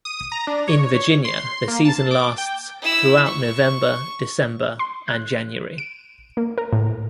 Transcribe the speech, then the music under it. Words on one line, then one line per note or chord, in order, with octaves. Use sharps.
In Virginia, the season lasts throughout November, December, and January.
D#6
A#5
D4
C#5
C6
A#3
A5
D6
G5
E4 E6
C#6
C6
F#6
D7
A#3
A#4
A2